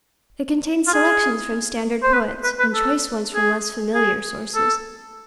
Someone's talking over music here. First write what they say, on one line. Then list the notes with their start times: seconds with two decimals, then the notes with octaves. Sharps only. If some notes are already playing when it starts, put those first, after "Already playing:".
It contained selections from standard poets, and choice ones from less familiar sources.
0.87 F4
0.94 G#4
2.03 C5
2.14 B4
2.44 B4
2.59 B4
2.74 A4
3.34 G#4
3.95 G#4
4.55 A4